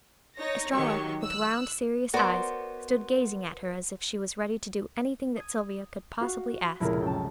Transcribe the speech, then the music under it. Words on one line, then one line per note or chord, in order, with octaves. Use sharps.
Estralla, with round serious eyes, stood gazing at her as if she was ready to do anything that Sylvia could possibly ask.
D#4 C#5 A#6
D#3 F#3 G4 C#6
E6 F#6
B3 F#4 A#4 C5 D5
D#6 G#6
F#4 F5
F1 C#2 A#2 E4 G#4 A#4
F#2 G5 A5